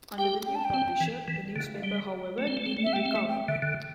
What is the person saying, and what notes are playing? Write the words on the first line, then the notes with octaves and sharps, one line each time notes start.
Under the new publisher, the newspaper however didn't recover.
G4 G5
G5
A5
G5
C4
E3
E3
D3
G3
A3
C4
A3
C4
A3
C4 E5
G5
A3
C4
E5
A3
G5
D3 E5
D3